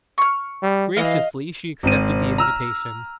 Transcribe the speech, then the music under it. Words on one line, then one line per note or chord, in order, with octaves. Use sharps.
Graciously she accepted the invitation.
C#6 F6
G3
E3 D#5 F5
G#1 C4 D#7
A#5 E6 F6